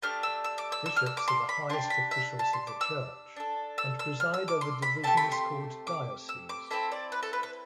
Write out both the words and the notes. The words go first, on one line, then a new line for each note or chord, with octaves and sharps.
Bishops are the highest officials of the church, and preside over divisions called "dioceses".
A3 D4 G4 F6
E6
E6
D6
E6
E6
F6
E6
D6
C6
B5
D4 G4 C6
B5
E5
A5
C6
D6
E6
D4 A4
E6
E6
F6
E6
D6
C6
B5
A3 C4 G4 A5
B5
C6
D6
E6
D6
C4 E4 A4 E5
D5
B4
A4
B4
B4